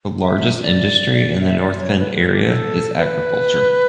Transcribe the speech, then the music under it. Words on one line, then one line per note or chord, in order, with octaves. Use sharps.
The largest industry in the North Bend area is agriculture.
E5
D5
E5
D5
C#5
B4
A4
G4
A4
B4